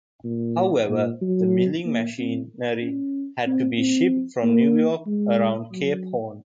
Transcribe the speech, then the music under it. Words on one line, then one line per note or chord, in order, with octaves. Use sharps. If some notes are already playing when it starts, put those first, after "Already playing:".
However, the milling machinery had to be shipped from New York around Cape Horn.
A#2
A#2
F#3
A#3
C4
C#4
C4
C4
A#3
G#3
F#3